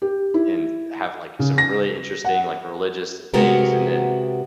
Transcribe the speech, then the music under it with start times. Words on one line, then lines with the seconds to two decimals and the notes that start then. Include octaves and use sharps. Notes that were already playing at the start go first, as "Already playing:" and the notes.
and have, like, some really interesting, like, religious things, and then,
0.02 G4
0.34 E4
1.39 C#3
1.58 A#6
2.25 F#5
3.34 C3 G#3 B3 F#4 G4 A#4